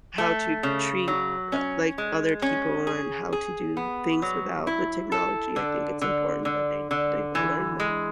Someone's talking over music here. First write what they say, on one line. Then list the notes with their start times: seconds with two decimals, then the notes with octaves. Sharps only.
how to treat, uh, like, other people and how to do things without the technology, I think it's important that they they they learn that.
0.18 A3
0.63 C#3
1.08 F#3
1.52 C#4
1.98 G#3
2.42 C#4
2.87 G#4
3.33 G#4
3.77 B3
4.22 F#3
4.67 E4
5.12 A4
5.56 D3
6.02 D3
6.45 D3
6.91 D3
7.35 E3
7.80 G#3